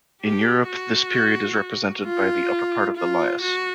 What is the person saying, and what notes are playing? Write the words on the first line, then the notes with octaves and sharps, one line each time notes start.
In Europe this period is represented by the upper part of the Lias.
G4
F#4
F4
F4
F#4